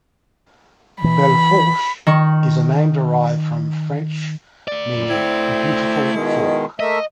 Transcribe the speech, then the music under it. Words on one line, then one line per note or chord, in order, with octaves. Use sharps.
Belle Fourche is a name derived from French meaning "beautiful fork".
E3 B5
D#3 C#6
A3 D5
F#2
C4 E4
B2 D#3 G#3
A3 A#3 D#5 E5